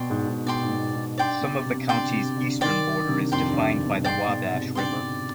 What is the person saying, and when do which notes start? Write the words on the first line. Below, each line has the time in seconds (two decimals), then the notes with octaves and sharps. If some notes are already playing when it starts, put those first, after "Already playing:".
Some of the county's eastern border is defined by the Wabash River.
Already playing: B2 D5 G5 C6
0.10 G#2
0.28 G#2
0.46 B2 D5 G5 C6
0.63 G#2
0.70 B2
0.94 G#2
1.17 G2 D5 G5 C6
1.41 B2
1.66 C3
1.89 D3 D5 G5 C6
2.13 C3
2.36 D3
2.61 D#3 D5 G5 C6
3.04 D3
3.09 C3
3.32 F2 D5 G5 C6
3.50 G2
3.86 B2
4.04 G#2 D5 G5 C6
4.28 B2
4.52 C3
4.75 D3 D5 G5 C6
4.99 D3